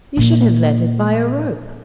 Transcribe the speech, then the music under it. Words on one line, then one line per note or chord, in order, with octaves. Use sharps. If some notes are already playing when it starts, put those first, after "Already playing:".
You should have led it by a rope.'
A#2 F3